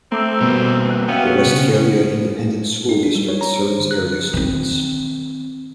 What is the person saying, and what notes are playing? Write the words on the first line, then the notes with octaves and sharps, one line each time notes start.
The Westphalia Independent School District serves area students.
A3 C4 A#5 D6 E6
B2 G3 A#3 B3
F#6
B3 C#4 E5 F5 G5
C#3
D#4
D4
G3
C#5
A#5
C5
D3
F#6
D#3 C4